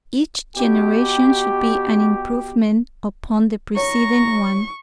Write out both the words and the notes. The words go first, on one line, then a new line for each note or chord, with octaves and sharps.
Each generation should be an improvement upon the preceding one.
B2 G4
C#5 A#5 C#6